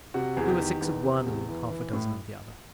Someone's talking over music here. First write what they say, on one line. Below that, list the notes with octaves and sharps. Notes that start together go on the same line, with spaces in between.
We were six of one and half-a-dozen of the other.
C3 F#4
E2 G#4
G4
D#3
E2 B4
C3
E2
E3
E3
A2